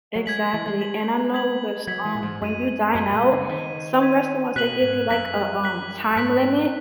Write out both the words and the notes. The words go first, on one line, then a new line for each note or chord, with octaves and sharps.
Exactly, and I know thas um, when you dine out, some restaurants they give you, like, a, um, time limit
F#3
G#3 G#6 B6 F#7
E3
G#3
G#6 B6 F#7
G#6 B6 F#7
F#3 G#6 B6 F#7
E3
A#2
G#2
F#2 G#6 B6 D#7
F#2 G#6 B6 D#7
A#2
C#3
D#3 G#6 B6 D#7
G#6 B6 D#7
B2 F#6 B6 F#7
G#2
F#2 F#6 B6 F#7
F#6 B6 F#7
G#2 F#6 B6 F#7